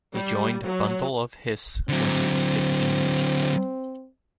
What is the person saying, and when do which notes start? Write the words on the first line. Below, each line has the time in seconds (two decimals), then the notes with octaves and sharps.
He joined Bundle of Hiss when he was fifteen years old.
0.14 G3
0.65 F#3
1.89 D3 F#3 C4